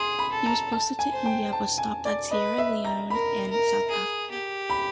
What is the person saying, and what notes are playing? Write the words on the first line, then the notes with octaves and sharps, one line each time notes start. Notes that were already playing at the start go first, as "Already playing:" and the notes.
He was posted to India but stopped at Sierra Leone and South Africa.
Already playing: G#4 C6
B5
A4
A#5
A5
G#5
C5
G5
A5
G#5
D5
B4 D#5
E5
A#5
A#4 B5
A#4
G#4
G4
B5